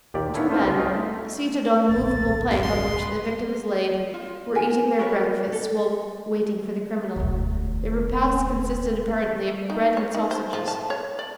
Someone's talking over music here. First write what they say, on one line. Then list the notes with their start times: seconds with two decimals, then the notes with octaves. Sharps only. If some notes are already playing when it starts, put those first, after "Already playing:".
Two men, seated on the movable plank on which the victim is laid, were eating their breakfasts, while waiting for the criminal. Their repast consisted apparently of bread and sausages.
0.14 D#2 A#2 G4 D5
0.34 B3 C#4 E4 A4
0.50 A3 F4 C5 F5
0.65 C#2 F4
0.77 C#4 D#4 F4 A#4
0.94 A3 E5
1.89 D1 A#1 A6
2.50 F#2 F5
2.63 C6
2.91 B4
4.14 F4
4.55 A#4 G#5
4.99 F#4 A#4 B4 C#5
5.53 A4
7.16 E1 D2
9.70 D#4
9.97 C#5
10.15 D#4
10.31 C5
10.53 F3
10.68 A5
10.90 C#5
11.19 D5